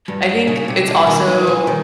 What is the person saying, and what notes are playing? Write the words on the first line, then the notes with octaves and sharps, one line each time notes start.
I think it's also
G2 G3
C#3 D#4
C3
D3 G3
D#3
E3 D#4
E3
D#3 G3